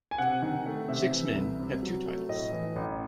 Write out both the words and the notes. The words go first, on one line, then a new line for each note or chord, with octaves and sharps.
Six men have two titles.
G#5
C3 F#5
D#3
A3
C3 E5
E3
C2
C3
F#3
A3
A2 D#5
E3
A1